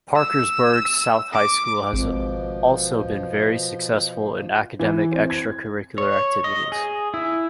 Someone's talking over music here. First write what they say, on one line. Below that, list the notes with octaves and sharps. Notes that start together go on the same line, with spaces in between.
Parkersburg South High School has also been very successful in academic extracurricular activities.
E6
D6
G#1 B2 F3
E3
C4
G#6
C#5
D#5
G#4
E4